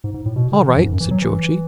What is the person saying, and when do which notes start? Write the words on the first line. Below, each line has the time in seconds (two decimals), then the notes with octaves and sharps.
"All right," said Georgie.
0.04 G#2
0.14 G#2
0.26 A2
0.36 B2
0.52 D3
0.68 E3
0.76 F#2
0.84 G#2
0.92 F#2
1.00 E3
1.11 F#3
1.22 E3